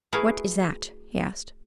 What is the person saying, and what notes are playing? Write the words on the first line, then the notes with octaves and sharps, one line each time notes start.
"What is that?" he asked.
A3 E4 F#4 G#4 A#4 B4